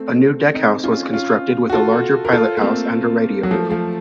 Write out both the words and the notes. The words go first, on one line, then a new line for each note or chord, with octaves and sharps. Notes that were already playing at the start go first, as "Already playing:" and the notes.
A new deckhouse was constructed with a larger pilothouse and a radio room.
Already playing: A3 C4
C4 D#4
C#4 F4
C#4 F4
F#4
F4 A4
A#4
F4 A4
A#3
A3 C4
F#3
F3 A3
F3 A3